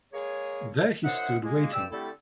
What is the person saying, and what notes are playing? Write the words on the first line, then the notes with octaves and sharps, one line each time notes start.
There he stood, waiting.
G#3 A#3 G#4 C#5
F#2 D#4 C5 E5 F#5
G#3 A#3
G2 G4 D5 E6
D3 G3 A3 C4 E4 A4